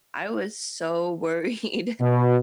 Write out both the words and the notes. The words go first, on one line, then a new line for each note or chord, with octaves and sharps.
I was so worried,
B2